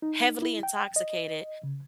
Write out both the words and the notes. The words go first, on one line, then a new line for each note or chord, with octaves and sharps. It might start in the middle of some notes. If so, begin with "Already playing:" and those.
heavily intoxicated,
D#4
E4
G5
D#5
C#3